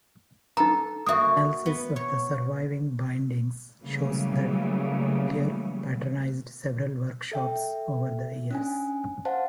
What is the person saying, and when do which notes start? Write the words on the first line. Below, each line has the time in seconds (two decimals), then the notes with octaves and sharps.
Analysis of the surviving bindings shows that Grolier patronised several workshops over the years.
0.57 D#4 A4 A#5
1.06 A#3 F#4 E5 D#6
1.66 B3
1.96 C#5
3.83 C#3 E3 F#3 G3 A3 A#3
7.32 A4 E5 G5
8.51 C#4 D4 G#5
9.25 C5 F5 F#5 A5